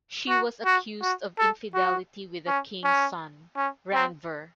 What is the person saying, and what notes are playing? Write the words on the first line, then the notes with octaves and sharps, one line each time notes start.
She was accused of infidelity with the king's son, Randver.
F#4
F#4
F#4
A4
F#4
C#4
C#4
C#4
C4